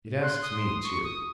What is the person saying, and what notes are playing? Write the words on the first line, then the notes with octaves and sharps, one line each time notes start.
It asks me too.
C6 F#6
D#6
D#6
C#6
D#6